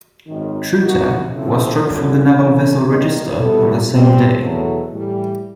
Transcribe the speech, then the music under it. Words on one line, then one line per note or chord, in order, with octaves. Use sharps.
"Trutta" was struck from the Naval Vessel Register on that same day.
G#1 F#2 D#3
C3 F3 A#3 D#4 F#4
C#3 F3 A3 C4 E4
G1 F#2 D3
C3 E3 A3 C#4
G1 G2 D#3
B2 G3 B3 E4 A4
B2 G3 C4
E2 B2 F#3 A3
A2 E3 G3